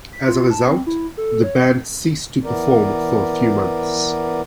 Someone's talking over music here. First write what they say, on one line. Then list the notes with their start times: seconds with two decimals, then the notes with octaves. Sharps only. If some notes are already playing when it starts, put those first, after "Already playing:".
As a result, the band ceased to perform for a few months.
0.13 B6
0.28 F4
0.50 A5
0.67 C4
0.87 E4
1.17 A4
1.44 C#5
1.59 D#5
2.44 E3 B3 A#4 D5